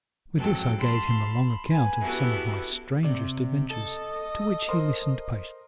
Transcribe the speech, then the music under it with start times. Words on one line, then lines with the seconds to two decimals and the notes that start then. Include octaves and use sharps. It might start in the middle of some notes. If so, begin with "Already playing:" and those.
With this I gave him a long account of some of my strangest adventures, to which he listened patiently.
0.36 F2 G#2 F#3 A4 G5
0.77 F5 A5 B5 C6 E6
1.69 B4 G#5
2.01 B3 E4 F#4 G4 A4 B4
3.04 C3 D5
3.70 A4 D#5
4.68 A#4 C5 C6